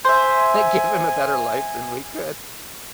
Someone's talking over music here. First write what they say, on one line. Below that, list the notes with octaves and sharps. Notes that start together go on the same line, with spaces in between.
give him a better life than we could.
C5 E5 G#5